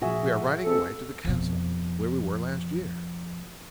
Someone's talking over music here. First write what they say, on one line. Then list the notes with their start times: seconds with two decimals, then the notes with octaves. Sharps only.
"We are riding away to the castle where we were last year!"
0.01 A#2 F3 F#4 G#4 E5
0.64 C4 A4 C#7
1.25 F2 B2